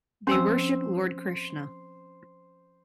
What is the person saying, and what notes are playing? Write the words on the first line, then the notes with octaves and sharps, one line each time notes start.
They worship Lord Krishna.
F3 C4 C#4 C5 G#5 E6